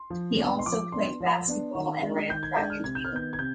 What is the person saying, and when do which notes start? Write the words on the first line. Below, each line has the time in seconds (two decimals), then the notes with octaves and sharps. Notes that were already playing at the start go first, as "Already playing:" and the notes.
He also played basketball and ran track and field.
Already playing: C6
0.10 F3
0.38 D4
0.43 B3
0.59 C6
0.66 F3 D6
0.92 B3 D4 C6
1.20 F3
1.47 B3 D4
1.75 D#3
2.02 G#3 D4
2.29 D#3 G6
2.43 G#6
2.56 G#3 D4 G6
2.70 F6
2.84 C3 G#6
2.95 G6
3.05 F6
3.11 D#3 B3 G6
3.33 G#6
3.38 C3 G6